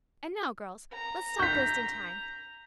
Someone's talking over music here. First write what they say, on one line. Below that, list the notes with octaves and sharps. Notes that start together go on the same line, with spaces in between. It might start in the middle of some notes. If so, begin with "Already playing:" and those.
And now, girls, let's stop wasting time.
A#5
G6 B6